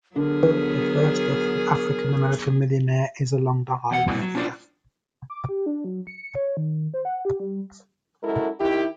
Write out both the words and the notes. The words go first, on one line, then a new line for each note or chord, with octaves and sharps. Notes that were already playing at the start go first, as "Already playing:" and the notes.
Walker, the first African-American millionaire, is along the highway here.
D3 F#3 B3 G#4 A#4
E2 F#5
G2 A#2 C4 E4
F#3
C#4 D4 F4 C5 D5
D6
G4
D4
F#3
C#7
C#5
D#3
C5
F#5
G4
G3
F#2 G#3 E4 F#4 A4 A#4
D#3 E4 G4